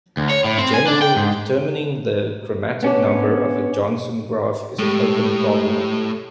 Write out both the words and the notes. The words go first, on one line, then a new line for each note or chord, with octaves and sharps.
In general, determining the chromatic number of a Johnson graph is an open problem.
D2
C#5
A2
C4
G#5
D4
G5
G#2
B3 C#4 D4
A2 G#3 G4 A4 C#6